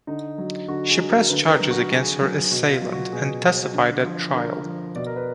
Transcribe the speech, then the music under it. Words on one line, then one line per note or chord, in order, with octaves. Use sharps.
She pressed charges against her assailant and testified at trial.
D3 D#4
F#3
D3 F#4
G#4
F#3
A#4
D3 B4
B4
A#4
F#3
F#4
D3 G#4
F#3
B2 F#4
F4
F#3
F#4
B2 G#4
F#3
D3
F3
D3 A#4
F3
B2 D5
A#4
B4